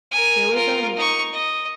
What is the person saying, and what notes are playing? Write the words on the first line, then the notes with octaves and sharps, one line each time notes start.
There was, um
A#4 G#5
F4 A#4
D#4 C#6
D#5